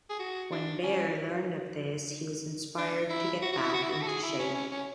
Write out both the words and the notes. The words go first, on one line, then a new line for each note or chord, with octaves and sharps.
When Baer learned of this, he was inspired to get back into shape.
G#4
F#4
D4
C#4
D4
E4
F#4
F#4
E4
F#4
E4
F#4
A4
G#4
E4
C#4
C#4
C#4